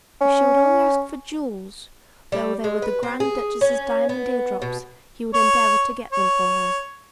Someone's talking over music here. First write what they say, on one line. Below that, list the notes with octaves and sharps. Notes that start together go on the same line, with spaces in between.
If she would only ask for jewels,--though they were the Grand Duchess's diamond eardrops, he would endeavour to get them for her.
C#4
G3
G#3
B4
C4
G#4
C#4
B3
B2
C#5
C#5